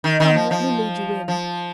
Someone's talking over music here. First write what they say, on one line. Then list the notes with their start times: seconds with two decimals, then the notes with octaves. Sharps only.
Come, let me lead you in.
0.04 D#3
0.20 D#3
0.35 F3
0.51 F3
1.28 F3